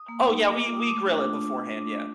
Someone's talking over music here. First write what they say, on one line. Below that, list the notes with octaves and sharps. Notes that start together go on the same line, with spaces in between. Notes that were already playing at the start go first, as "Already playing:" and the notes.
Oh, yeah, we we grill it beforehand, yeah.
Already playing: D#6
A#3
D#4
A#3 D6
F4
D#6
A3 D6
D4 F4